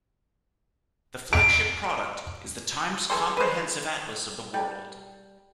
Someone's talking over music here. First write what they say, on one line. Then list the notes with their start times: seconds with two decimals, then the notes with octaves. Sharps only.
The flagship product is The Times Comprehensive Atlas of the World.
1.33 D7
3.10 E3 G#4 A4 C6
3.37 B4 C5
4.54 G3